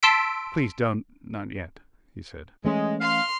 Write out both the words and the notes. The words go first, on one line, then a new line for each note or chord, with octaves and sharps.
"Please don't--not yet," he said.
A5 C6 E6 B6 D7
E3 G#3 A3 C#4
F5 C6 F6